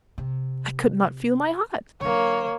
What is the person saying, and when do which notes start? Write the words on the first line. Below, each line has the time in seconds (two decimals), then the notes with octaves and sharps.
I could not feel my heart.
0.18 C3
2.01 D3 F#3 A#3 C#5